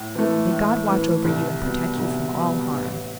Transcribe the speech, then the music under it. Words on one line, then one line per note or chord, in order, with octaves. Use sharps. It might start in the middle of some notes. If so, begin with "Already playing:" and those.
May God watch over you and protect you from all harm.
Already playing: A2
E3 A3
A2
E3 A3
C2
B2 G3
C2
B2 G3
A1